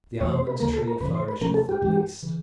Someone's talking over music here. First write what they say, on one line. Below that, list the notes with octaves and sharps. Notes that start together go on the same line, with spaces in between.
The almond-tree flourisheth at least.'
F2 C3 E3 A3 C#5
C5
B4
D2 C#3 F3 A#3 A#4
A4
A#4
F#2 C#3 E3 B4
C5
B4
C3 F3 A3 C#4 A#4
A4
G4
G2 E3 G#3 C4
C#3 E3